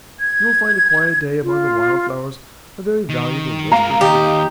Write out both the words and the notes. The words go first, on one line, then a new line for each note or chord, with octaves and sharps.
You will find a quiet day among the wild flowers a very valuable restorative.
G#6
F4
D#3
G#3 A#4 F5 A#5
D#2 D#4 G4